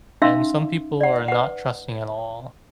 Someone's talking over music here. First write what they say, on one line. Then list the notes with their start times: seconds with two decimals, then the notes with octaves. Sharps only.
and some people are not trusting at all,
0.22 C#4 D#4 E5 F5 C6 E6
1.01 D5 F#5
1.28 B4 F#5